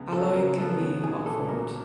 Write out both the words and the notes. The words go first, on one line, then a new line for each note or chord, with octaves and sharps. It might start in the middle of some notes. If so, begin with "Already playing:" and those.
Alloy can be hot formed.
Already playing: C#2 C#3 F#3 B3
C#3 A4
C#3 A#4
B3 A4
B3
A#1 G#4
A#2 A4
F#3 A#4